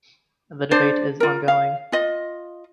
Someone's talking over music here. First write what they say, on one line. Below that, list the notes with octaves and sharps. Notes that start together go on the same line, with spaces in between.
The debate is ongoing.
D4 C5 D5
F4 A#4
F5
F4 D#5